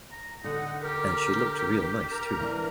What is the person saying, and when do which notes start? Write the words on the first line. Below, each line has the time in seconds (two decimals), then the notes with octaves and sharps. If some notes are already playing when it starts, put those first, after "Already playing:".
And she looked real nice too.
0.12 A#5
0.44 D3 D#4 F#5
0.82 G4 A#4
2.12 A#4 A#5
2.40 E3 D4